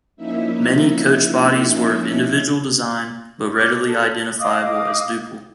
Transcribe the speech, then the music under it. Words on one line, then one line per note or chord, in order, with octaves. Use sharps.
Many coach bodies were of individual design, but readily identifiable as Duple.
F3 A#3 C#4 D#4 E4 E5
D6 F6 F#6
A4
D#5 F5 D6 D#6